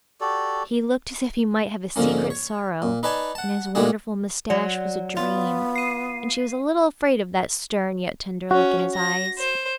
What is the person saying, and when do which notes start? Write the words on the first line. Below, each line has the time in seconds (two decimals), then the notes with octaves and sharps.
He looked as if he might have a secret sorrow, and his wonderful moustache was a dream, and she was a little afraid of that stern yet tender look in his eyes.
0.21 F#4 G4 A4 D5
1.96 G#2 D3 F3 A#3 C#4
2.30 C#5
2.82 A#2
3.03 D#4 B4 D5 G#5 A5
3.35 F#5 A5
3.75 A#2 D#3 A3 D4 F#4 G#4
4.50 F#3 D5
5.17 B3 F4
5.76 C7 D#7
8.51 C#4 F#4
8.95 A#6
9.38 C5